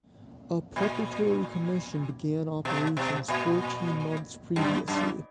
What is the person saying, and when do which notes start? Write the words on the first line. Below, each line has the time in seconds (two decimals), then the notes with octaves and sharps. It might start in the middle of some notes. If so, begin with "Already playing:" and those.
A Preparatory Commission began operations fourteen months previously.
0.76 A#2
2.65 B2
2.97 B2
3.28 A#2
4.56 F#2
4.88 F#2